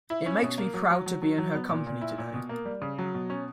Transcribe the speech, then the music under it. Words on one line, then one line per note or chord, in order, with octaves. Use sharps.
It makes me proud to be in her company today.
E4
C#4
B2
A#3
F#3
F#3
F#3
F#3
F#3
B3
A#2
A#2
E4
A#2
B2
A#3
G3
C#3
F#3
B2
C#4